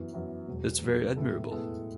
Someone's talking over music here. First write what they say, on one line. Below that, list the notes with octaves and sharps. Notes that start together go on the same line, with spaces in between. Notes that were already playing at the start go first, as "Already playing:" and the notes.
That's very admirable.
Already playing: F#2 E3 B3 E4
F#2 E3 B3 E4
E1 E2 B2 F#3
E1 E2 B2 F#3
A2 G#3 B3 E4 A4
A2 G#3 B3 E4 A4